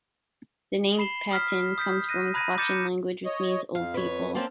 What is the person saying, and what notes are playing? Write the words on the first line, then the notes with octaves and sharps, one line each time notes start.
The name "Patayan" comes from the Quechan language and means "old people".
B5 C7 E7 G7
D#6 F6 B6
D#6 G6 B6
F#6 A#6 D#7
A#5 B5 F#6 G#6 A#6 D#7
D6 G6 A6 C#7 D#7 E7
C#5 D#5
F2 F5
B4 C#5
A#3 C4 C#4 A5